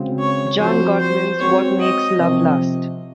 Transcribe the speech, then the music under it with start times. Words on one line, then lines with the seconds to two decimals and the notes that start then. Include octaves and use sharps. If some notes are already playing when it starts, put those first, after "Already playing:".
John Gottman's What Makes Love Last?
Already playing: C#3 G#3 C4 F#4
0.19 C#5
0.59 F3 C4 F#4 C5
0.99 C5
1.39 G#3 C4 F#4 C#5
1.79 D#5
2.19 C3 F3 C4